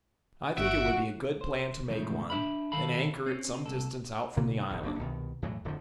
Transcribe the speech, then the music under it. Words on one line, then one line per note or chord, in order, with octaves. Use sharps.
I think it would be a good plan to make one, then anchor it some distance out from the island.
G1 F#4 E5 F#5 D7
C5
E2 A2 C#3 F3 G#3 A3
D4 E5 B5
D#3 A4 F5 A5 B5
C4 C#4
C2 C3 A4
B2 D3 A#3 B3
D1 E2
F#1 C#3 A#3 D4
C2 B2 D#3
E2 A2 E3 F#3
D1 F2 D3 F3